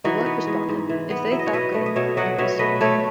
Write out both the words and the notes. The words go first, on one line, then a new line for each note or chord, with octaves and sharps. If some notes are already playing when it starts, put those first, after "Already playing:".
O'Rourke responded, "If they thought good, let it be so".
E3 D#4 F#4
B3
G#3
G#2
E3
B3
F#3 E5
D#5
C#5
B2 B4 D#5
A3
D#5
B2 C#5 E5
F#3 D#5 F#5
B2 C#5 E5
A3 B4 D#5
A3 A4 C#5